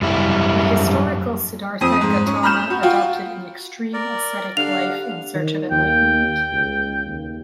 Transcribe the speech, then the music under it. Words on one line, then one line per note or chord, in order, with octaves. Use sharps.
The historical Siddhartha Gautama adopted an extreme ascetic life in search of enlightenment.
F#2 G3 E4
F2 C4 D#6 D#7
G#2
C#4
A#5 B5 F6 G6 E7
F#4
F4 F#4 G5
A#4 D5
D3 D4 G4 F5 F#5 F7
D#3
D#2 G5
C#2
D#2